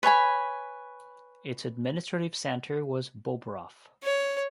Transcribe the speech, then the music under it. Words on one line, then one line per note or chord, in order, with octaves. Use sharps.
Its administrative centre was Bobrov.
B4 C#5 G#5 B5
C#5